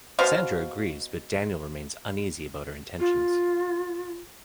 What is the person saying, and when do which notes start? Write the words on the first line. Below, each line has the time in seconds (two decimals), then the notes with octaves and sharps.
Sandra agrees, but Daniel remains uneasy about her intentions.
0.19 B2 C5 F5
3.00 F4